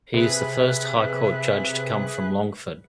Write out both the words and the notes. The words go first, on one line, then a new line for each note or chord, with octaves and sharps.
He is the first High Court judge to come from Longford.
C3 G#4 B4 E5 F#6